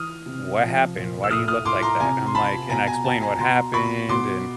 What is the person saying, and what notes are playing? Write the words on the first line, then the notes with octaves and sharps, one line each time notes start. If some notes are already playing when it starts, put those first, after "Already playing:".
"What happened? Why do you look like that?" I'm like and I explained what happened, and,
Already playing: E3 D#6 F6
C3
F3
A#2
E6
A2 D#6 F6
D#6 F6
A2 C6 D6
A#5 C6
C3 G#5 A#5
C6
C3 A5 B5
B2 G#5 A#5
G#5 A#5
B2 G5 A5
G#5 A#5
B2 A#5 C6
B2 B5 C#6
B2 C6 D6